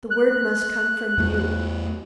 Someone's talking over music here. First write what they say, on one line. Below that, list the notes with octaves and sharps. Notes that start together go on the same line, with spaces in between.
The word must come from you.
F#6
E2 A3